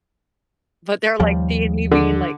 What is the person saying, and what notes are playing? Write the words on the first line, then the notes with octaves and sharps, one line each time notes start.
But they're like seeing me being like
D#2 F3 G3
D3